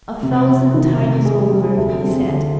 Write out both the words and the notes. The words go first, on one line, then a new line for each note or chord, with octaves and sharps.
"A thousand times over," he said.
C3
C3
D#3
C3
G#4
G3
D2
C4
D3